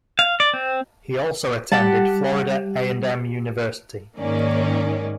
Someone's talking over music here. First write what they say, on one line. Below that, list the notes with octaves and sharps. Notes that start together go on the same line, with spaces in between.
He also attended Florida A and M University.
F5
D5
C4
G3 G4 F#5 A5
G#2 D#3 A#3 C#4 D5